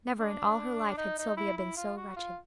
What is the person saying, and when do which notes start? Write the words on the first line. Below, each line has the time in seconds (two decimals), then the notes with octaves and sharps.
Never in all her life had Sylvia been so wretched.
0.19 D4
0.97 D#4
1.18 D#4
1.37 E4
1.57 E4
1.77 F4
1.97 F#4
2.16 F4